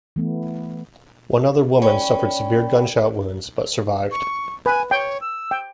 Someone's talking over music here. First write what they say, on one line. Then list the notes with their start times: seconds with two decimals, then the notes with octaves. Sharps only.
One other woman suffered severe gunshot wounds, but survived.
0.16 E3 A3 B3
1.82 C#4 D5 G5 B5
4.11 C#6
4.66 B4 G#5
4.91 C#5 G5
5.21 E6
5.51 G5